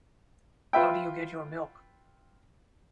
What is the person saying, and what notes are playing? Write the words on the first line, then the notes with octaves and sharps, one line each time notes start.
How do you get your milk?
F4 B4 E5 G5